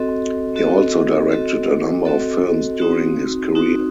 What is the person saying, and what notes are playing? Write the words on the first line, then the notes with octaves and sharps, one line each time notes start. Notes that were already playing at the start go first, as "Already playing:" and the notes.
He also directed a number of films during his career.
Already playing: C4 F#4 A4 D#5
C4 F#4 A4 D#5
C4 F#4 A4 D#5
C4 F#4 A4 D#5
C4 D#4 F#4
C4 D#4 F#4